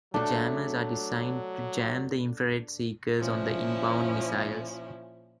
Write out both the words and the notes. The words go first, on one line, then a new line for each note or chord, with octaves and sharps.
The jammers are designed to jam the infra-red seekers on the inbound missiles.
F#3 A3 D4
A#2 F3 C#4 E4